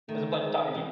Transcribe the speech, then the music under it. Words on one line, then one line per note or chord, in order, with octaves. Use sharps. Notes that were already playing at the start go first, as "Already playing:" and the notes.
It's a pleasure talking to you
D#3 A3
G#3
E3